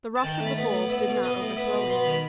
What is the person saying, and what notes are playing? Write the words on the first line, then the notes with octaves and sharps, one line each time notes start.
The rush of the bulls did not overthrow him.
A5
D#3 G5
A5
A3
B5
B3 B5
A2
B3 E5
B2
B3 D#5
A2
B3 E5
B2
B5
B3 C6
B5
D#3
B5